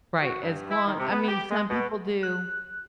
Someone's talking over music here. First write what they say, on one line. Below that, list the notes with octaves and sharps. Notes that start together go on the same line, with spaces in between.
Right. As long I mean, some people do,
F#4
G2
E4
D#3
C3
B3
G4
G#3
B2
F#6